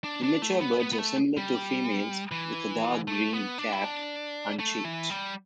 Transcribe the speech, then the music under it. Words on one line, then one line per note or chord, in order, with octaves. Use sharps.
Immature birds are similar to females with a dark green cap and cheeks.
D4
D4
A3
B3
B3
B3
A3
G3
E3
A3
B3
D4
E4
D4
A3
E3
G3